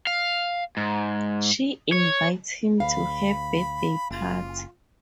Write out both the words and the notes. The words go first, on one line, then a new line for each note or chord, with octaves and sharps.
She invites him to her birthday party.
F5
G#2
C#5
D2 F5 B5
F#1 F4